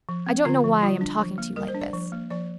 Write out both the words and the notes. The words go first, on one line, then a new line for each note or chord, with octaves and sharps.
"I don't know why I am talking to you like this."
F3
C4
D3 F4
F3
G3 F4
D4
F3
A#3
G3 A#4
C5
D4
D5
F3
A#3
F3 D5